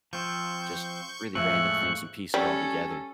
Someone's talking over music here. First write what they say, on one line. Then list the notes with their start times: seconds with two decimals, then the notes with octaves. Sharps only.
just really random things, and piece it all together.
0.13 F3 C4 C#6 G6
1.35 F2 A2 F3 G#3 E5 C#6 E6 F#6
2.34 G3 C#4 A4